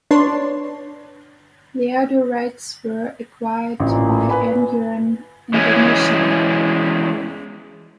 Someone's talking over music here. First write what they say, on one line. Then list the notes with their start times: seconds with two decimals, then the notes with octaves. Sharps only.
The audio rights were acquired by Ayngaran International.
0.11 D4 B4 C#5 D5 A5 C6
3.80 A1 A#2
4.30 B4 G#5 B5
5.54 E3 G#3 C#4